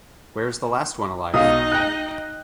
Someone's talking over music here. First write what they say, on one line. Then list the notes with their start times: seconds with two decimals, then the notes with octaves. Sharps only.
Where’s the last one alive?
1.34 B1 D#4 D#5 F5 D#6
1.72 G5 F#6